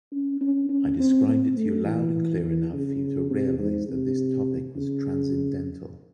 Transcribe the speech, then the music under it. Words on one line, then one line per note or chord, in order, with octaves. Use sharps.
I described it to you loud and clear enough for you to realize that this topic was transcendental.
C#4
C#4
C#4
C4
C4
A3
E3
E3
C#3
C3
G#2
C3
C#3